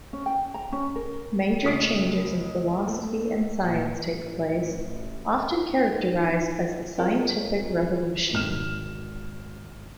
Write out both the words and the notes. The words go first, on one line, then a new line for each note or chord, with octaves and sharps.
Major changes in philosophy and science take place, often characterized as the Scientific revolution.
C#4
G5
A#5
C#4
A#4
C#2 A3 C#5 D#6 C7 D7
A3
A#2
A1
D#4
C4 F4 G#4 A#4 C#5
G#1 F6 E7